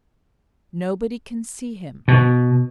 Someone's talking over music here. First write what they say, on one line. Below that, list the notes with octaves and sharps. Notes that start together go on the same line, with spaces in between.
Nobody can see him.
B2